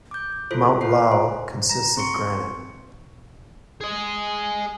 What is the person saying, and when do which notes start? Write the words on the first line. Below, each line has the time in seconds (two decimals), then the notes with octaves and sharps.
Mount Lao consists of granite.
0.11 D6 G6
0.51 E4 F4 A4 C5
0.81 F4 B4 C5 C7
1.12 C5
1.69 A#5 A#6
1.97 C4 C6 C#6 C#7
3.81 G#4 D#5